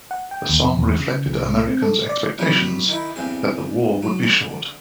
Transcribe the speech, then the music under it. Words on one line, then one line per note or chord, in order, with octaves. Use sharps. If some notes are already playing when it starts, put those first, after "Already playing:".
The song reflected Americans' expectations that the war would be short.
F#5
G5
D#2
F2
E2
C#3
C2
C4
A4
D5
C2 F#3 G3
D#3 D#4 E4
E2 G2 C4 G#4
F#3
D3